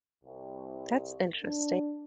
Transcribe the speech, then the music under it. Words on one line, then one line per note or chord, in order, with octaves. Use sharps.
That's interesting.
C2
D4